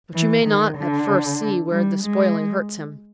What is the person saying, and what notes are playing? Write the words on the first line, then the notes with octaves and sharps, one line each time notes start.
But you may not at first see where the spoiling hurts him.
E3
D#3
D3
G3
G#3